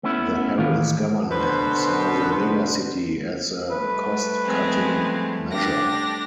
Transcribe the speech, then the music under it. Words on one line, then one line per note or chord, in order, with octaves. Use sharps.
The Harris government saw the megacity as a cost-cutting measure.
A3 B3 C#4 E4
A2 D#3 E3 F5
B2 D3 B4 C5
G3 A3 B4
F3 G#3 C4
D4 G4 A#6